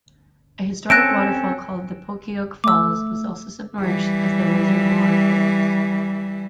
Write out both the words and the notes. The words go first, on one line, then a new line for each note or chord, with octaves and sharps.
A historic waterfall called the Pokiok Falls was also submerged as the reservoir filled.
C4 C#4 A4 F#6 A#6 D7
A3 D6 E6
E3 G3